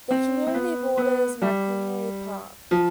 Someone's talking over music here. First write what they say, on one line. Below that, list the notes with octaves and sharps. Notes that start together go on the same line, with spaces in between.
The community borders McKinley Park.
C4
C4
B3
B3
G3
F3